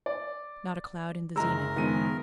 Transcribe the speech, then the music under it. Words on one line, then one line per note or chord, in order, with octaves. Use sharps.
Not a cloud in the zenith.
D5
F#1 G#3 A#4 A#5 E6
D#3 F3 G#3 B3 D#7